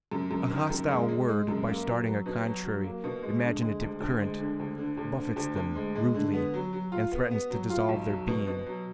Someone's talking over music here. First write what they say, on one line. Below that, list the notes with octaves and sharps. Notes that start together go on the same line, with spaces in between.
A hostile word, by starting a contrary imaginative current, buffets them rudely and threatens to dissolve their being.
F#2
F#2
D#3
F#2
G#3
G#3
G#3
F#2
A#3
F#3
F#3
B2
F#3
F#3
A#3
B2
G#3
D3
G#3
D2
D2
G#3
D3
D2
D3
D2
D3
D2
D2
G#3
G#3
D3
B3
F#3
F#3
F4
B3
B3
F#3
F4
B1
F#3
B2
B2
F#3